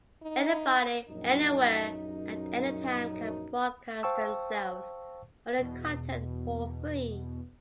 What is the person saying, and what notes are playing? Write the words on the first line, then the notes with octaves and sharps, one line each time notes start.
Anybody, anywhere, at any time can broadcast themselves or their content for free.
D#4
A#1 F#2 D#4
C5 F5 G5 A5 C#6 E6
E2 B2